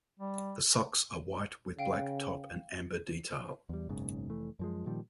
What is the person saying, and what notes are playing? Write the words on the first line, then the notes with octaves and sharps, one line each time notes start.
The socks are white with black top and amber detail.
G3
C#3 F5 G5
E2 G3
F#1 B1 G#2 C#3
F1 E3 A3
F#2 F3 G#3
A#2 D#3 F3 G3